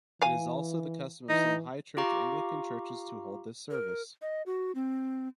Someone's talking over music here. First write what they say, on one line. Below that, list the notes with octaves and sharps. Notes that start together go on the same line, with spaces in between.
It is also the custom of some high-church Anglican churches to hold this service.
E3 F5 G#5
E3 D#4
F4 G4 F5 A#5 C#6 D6
A#4
D#5
F#4
C4